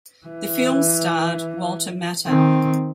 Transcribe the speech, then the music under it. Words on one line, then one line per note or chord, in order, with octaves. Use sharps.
The film starred Walter Matthau.
E3
D#3 C4